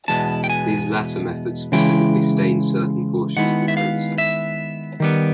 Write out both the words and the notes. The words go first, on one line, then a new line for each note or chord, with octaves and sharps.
These latter methods specifically stain certain portions of the chromosome.
E2 B2 G#3 B3 A5
G5
G#5
C#3 E3 G#3 E4 G5
D#3 G#3 B3 E4 F#5
E5
F5
E5
D#3 G3 B3